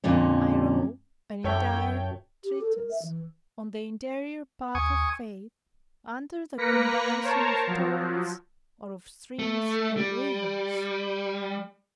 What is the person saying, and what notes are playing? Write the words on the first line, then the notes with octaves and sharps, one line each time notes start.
I wrote an entire treatise on the interior path of faith, under the comparison of torrents, or of streams and rivers.
F2 A#2 D3 C#4
F#2 A4 C#5 E5 G5
G4
A4
A#4
E5
E3
D#2 G#5 C#6 D#6
A#3 A#4 B4 A#6 B6 C#7
A#4 C5 C#5 A5 A#5
F3 F#3
A3
G3